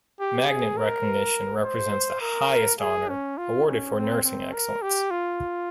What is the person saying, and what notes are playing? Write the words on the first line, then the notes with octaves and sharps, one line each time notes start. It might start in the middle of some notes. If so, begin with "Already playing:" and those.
Magnet recognition represents the highest honor awarded for nursing excellence.
G4
G#4
A#4
C5
A#4
G#4
C#4
F4
C#4
C4
C4
A#4
G4
F4